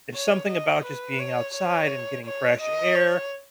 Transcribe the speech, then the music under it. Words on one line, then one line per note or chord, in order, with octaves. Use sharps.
there's something about just being outside and getting fresh air
C#5
D#5
B4
C#5
C#5
C#5
D#5
C#5